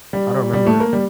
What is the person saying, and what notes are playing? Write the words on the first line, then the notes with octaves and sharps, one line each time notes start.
I don't 'member it.
G3
G3
A3
A#3
G3